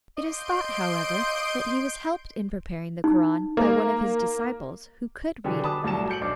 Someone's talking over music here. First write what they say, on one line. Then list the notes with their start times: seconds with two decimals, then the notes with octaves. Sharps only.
It is thought, however, that he was helped in preparing the Koran by one of his disciples who could read and write.
0.17 D#5 C6 G6 D7
3.04 D#4
3.57 A#3
5.44 B2 D3 F#3 G4 G#4
5.64 A5 B5 D6 D#6
5.83 C2 A2 F#3 G3 A5 E7
6.10 G6 C#7 D7 F#7
6.21 B1 D4 D6 C7